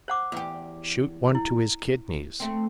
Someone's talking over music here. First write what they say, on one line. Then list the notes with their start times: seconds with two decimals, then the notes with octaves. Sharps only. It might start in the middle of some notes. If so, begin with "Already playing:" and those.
"Shoot one to his kidneys!"...
0.08 C5 F#5 D6
0.32 E2 G4
1.35 E4
2.40 A3 C4